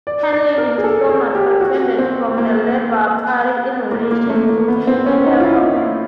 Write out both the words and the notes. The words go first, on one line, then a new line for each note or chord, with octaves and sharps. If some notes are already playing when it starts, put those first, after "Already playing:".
Ken Livingstone was suspended from the Labour party in relation to his earlier comments.
D5
D5
A#4
G#4
A4
G#4
G4
F#4
C4
A#3
A#3
A#3
A3
A#3
B3
C4
C#4
D#4
F4
E4